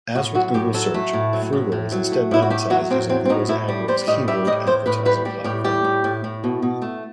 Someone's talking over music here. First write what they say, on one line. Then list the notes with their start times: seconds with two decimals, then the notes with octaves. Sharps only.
As with Google Search, Froogle was instead monetized using Google's AdWords keyword advertising platform.
0.15 A2 F#4
0.35 F#3 F#4
0.54 A2 G4
0.74 F#3 A4
0.94 A3
1.13 A2
1.33 F#3
1.53 A2
1.72 A2
1.92 F#3
2.12 A3
2.31 A2 E4
2.42 F#4
2.50 A3 G4
2.70 F#3 F#4
2.90 A2 C4
3.09 F#3 C4
3.25 C4
3.29 A2 D#4
3.49 A2 E4
3.68 G3
3.88 G3 C5
4.07 A2 D#5
4.28 G3 E5
4.47 A2 D#5
4.67 A2 C5
4.86 A2 B4
5.05 G3 B4
5.25 G3 G4
5.44 A2 G4
5.64 G3 G4
5.84 A2
6.04 A2
6.24 A2
6.44 B2
6.62 B2
6.82 A3